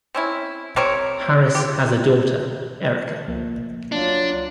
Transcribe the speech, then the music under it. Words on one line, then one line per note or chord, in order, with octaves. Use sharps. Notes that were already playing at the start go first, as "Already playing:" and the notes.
Harris has a daughter, Erika.
C4 C#4 E4
G3 C4 A#4 C#5
F4 G4
A3
C#2 F3 A#3
F#3 D4 F4